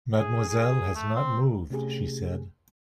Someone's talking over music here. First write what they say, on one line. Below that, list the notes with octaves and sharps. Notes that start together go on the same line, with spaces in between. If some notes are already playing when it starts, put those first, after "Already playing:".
"Mademoiselle has not moved," she said.
G#4
G#4
A3
C4
C3 A3 C#4 G4 G#4